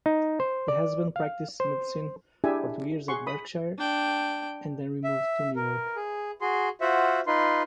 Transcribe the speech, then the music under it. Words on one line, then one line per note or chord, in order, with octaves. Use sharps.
The husband practiced medicine for two years at Berkshire and then removed to Newark.
D#4
C5
D5
F5
C5
D4 E4 G4 G#4 E5 G#5
G#4 F#5 C6 C#6
B5 D#6
D4 G5
E5
A#4
G#4
F#4 G#4 C6
F4 F#4 C5 E5 F#5
D#4 F4 B4 C6